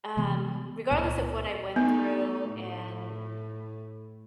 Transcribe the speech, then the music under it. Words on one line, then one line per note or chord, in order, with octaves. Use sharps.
um, regardless of what I went through and,
C3 E3 G#3 B3
C#2 A#2 B3
A3 B3 D#4
A2